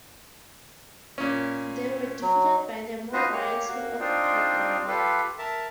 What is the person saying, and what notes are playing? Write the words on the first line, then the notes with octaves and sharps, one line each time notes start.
They were defeated by the Moabites, who occupied their land.
A#2 C#4
F#3
D#4 F4 F#4 B4 C5 D#5
A#3 G4 C#5
A#3 F#4
C4 D4 D#4 F4
F4 G4 A4 B4
A#4 E5 A5